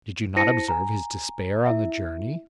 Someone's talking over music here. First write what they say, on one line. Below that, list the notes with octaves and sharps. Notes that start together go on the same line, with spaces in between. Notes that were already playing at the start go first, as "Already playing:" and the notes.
Did you not observe his despair on the journey?
E4 C5 A5 A#6 C#7 D#7
G#5 A#5
E4 E5